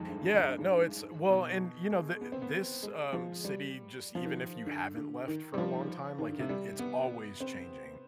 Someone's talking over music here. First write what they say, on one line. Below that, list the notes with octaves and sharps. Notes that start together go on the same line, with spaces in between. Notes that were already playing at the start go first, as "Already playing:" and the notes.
Yeah, no, it's well and, you know, thi this, um, city, just even if you haven't left for a long time, like, it it's always changing.
Already playing: F2 G#2
G2
G2
F2
G2
G2
G#2
B2
G#3
B3
C4
B3
G#3
F3
G3
F3
D#3
D3
D3
D#3
G3
F3
D#3
D3
C3
G3
B3
C4